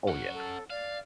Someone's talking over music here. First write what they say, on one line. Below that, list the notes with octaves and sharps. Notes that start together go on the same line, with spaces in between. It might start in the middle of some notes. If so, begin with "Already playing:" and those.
Oh, yeah.
C#4 F#5
A4
D5 F5